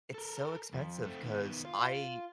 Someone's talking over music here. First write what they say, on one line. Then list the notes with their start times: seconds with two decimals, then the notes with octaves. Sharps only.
it's so expensive 'cause I
0.14 A4 A#4
0.73 F2
1.04 A3 C4
1.23 D#3 B3
1.65 F4